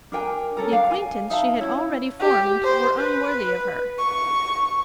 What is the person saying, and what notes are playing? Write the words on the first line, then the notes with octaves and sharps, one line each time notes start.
The acquaintance she had already formed were unworthy of her.
D4 A#4 G5 G#5
C#4 A4 A#4
D4 F5 G5
G#5
D#4 E5 F5 A5
C#4 E4
G4
C5
B4
C#6